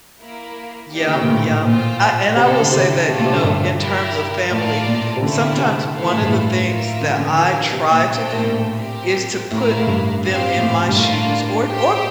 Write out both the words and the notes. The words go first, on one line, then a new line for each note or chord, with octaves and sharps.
Yep. Yep, uh, and I will say that, you know, in terms of family, sometimes one of the things that I try to do is to put them in my shoes, or t or
A#3 E4 A#4
G4 A#4 D5 G5
E3
D3
C3
A#2
A2
A2
A#2 F4 C5 G5
C3 A#3 E4 A4 C5
D3
C3
C3 A3 D4 F4
A#2
C3
D3
G2
E4 G4 A#4
A2 F4 A#4 D5 A5
A#2
C3
D3 A3 C4 E4
C3
A3 E4 A4 C5 F5
E3
A2
G2
A2
A#3 F4 A#4 E5
D3
E3
D3
E3 D4 G4 A#4 F5
C3
A#2
A3 D4 G4 C5 G5
A2
A#2
C4 G4 A#4
A2 A#3 E4 A#4 F5
A2
G2
C4 G4 C5 F5
A#2
A2
G2
A2 A#3 D4 F4
G4 C5 G5